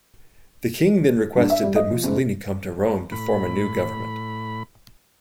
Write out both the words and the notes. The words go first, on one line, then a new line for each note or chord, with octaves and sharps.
The King then requested that Mussolini come to Rome to form a new government.
G2
E5
G3
D#5
F3
F#1
A2 B5